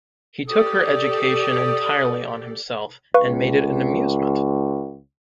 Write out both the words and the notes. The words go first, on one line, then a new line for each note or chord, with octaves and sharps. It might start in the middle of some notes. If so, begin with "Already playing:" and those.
He took her education entirely on himself, and made it an amusement.
G4 A4 D5 D#6
C#2 B4 F5 C#6